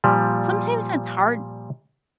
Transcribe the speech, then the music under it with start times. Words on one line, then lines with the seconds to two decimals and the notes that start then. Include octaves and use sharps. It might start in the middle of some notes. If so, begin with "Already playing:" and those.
Sometimes it's hard
0.04 A#2 F3 G3